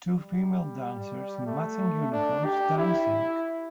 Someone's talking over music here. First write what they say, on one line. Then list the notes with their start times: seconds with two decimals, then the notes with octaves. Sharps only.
Two female dancers in matching uniforms dancing.
0.13 G3
1.46 A3
2.12 D4
2.45 G4
2.78 E4